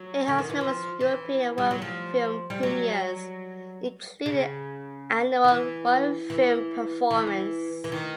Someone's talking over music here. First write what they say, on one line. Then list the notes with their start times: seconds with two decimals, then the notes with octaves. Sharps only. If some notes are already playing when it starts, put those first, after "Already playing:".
It hosts numerous European and world film premieres including the annual Royal Film Performance.
Already playing: F#3
0.28 D3
0.38 D#3
0.50 E3
0.61 F3
1.00 E3
1.58 G3
1.71 F#3
1.82 F3
2.50 G3
2.63 F#3
4.26 C#3
5.44 D#3
5.48 E3
6.30 E3
7.11 E3
7.84 E3
7.92 D#3